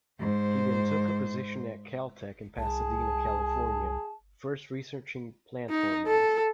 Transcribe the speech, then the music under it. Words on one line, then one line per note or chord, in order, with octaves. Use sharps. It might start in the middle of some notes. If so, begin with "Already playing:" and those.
He then took a position at Caltech in Pasadena, California, first researching plant hormones.
G#2 C5
C2 G#4 A5
D#4
A4